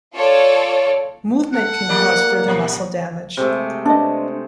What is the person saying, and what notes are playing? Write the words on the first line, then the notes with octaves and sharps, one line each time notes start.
Movement can cause further muscle damage.
F4 A4 C#5 D5
A4 F#5
F3 A#3 G4 D5
A#2
C3 G#3 A3
D4 B4 D#5